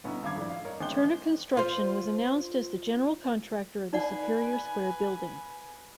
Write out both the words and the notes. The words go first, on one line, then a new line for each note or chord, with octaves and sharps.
Turner Construction was announced as the general contractor of the Superior Square building.
G1 B2 B3 C#4 E4 A#5
G#1 G2 F5 D6 G#6
F2 A2 D4
F5
D#4 A#4 C#5
A1 G#3 C5 G5 F#6 G7
F4 C5
D#4 B4 D5 F#5 G#5